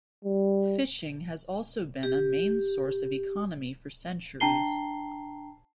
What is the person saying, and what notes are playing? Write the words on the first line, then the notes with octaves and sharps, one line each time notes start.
Fishing has also been a main source of economy for centuries.
G3
G4
D4 G5 A5 A#5 C7 G7